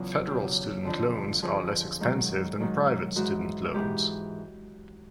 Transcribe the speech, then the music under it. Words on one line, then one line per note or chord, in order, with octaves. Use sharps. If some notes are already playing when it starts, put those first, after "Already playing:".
Federal student loans are less expensive than private student loans.
Already playing: E2 C#3 F#3 F4
E2 C#3 F#3 G4
F2 D3 F3
F2 D3 F3 G#4
G#2 D#3 F#3
G#2 D#3 F#3
G#2 E3 F#4
G#2 E3 G4